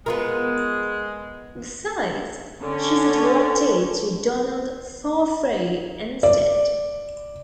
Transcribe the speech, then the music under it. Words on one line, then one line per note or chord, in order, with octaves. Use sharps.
Besides, she's attracted to Donald Farfrae instead.
G#3 B3 F4 A#4
D3 C#4
D5